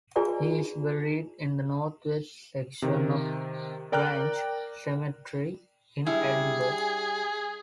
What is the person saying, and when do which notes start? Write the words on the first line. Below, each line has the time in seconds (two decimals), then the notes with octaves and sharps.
He is buried in the north-west section of Grange Cemetery in Edinburgh.
0.16 F4 G#4 B4 D5 G#5 A#5
2.82 C3 D#3
3.92 A#4 D5 G5 A#5 F6 F#6
6.06 G3 D4 E4 G#4